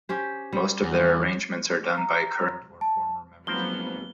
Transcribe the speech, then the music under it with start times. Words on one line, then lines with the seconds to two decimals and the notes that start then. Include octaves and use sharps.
Most of their arrangements are done by current or former members of the group.
0.09 C#4 G4 C5
0.53 G3
0.83 E2
1.98 A#5
2.81 A5
3.47 G#1 F3 F#3 A#3 B3 A#4 C5 G7